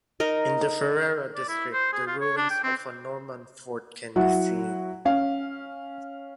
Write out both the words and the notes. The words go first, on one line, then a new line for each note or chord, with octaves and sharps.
In the Ferrara district the ruins of a Norman fort can be seen.
D#4 A#4 D#5
D5
E4
C5
G#4
F4
C#5
D4
G5
C4
F#3 E4 F#4 F#5
C#4 F5